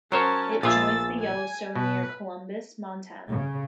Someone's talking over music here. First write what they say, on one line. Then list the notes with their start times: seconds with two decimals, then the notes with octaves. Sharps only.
It joins the Yellowstone near Columbus, Montana.
0.12 F#3 C#4 A#4 C5 C#5 A5
0.63 A#1 F4 G#4 E5 E6 A6
1.20 G#5
1.76 B2 B4
3.29 C#3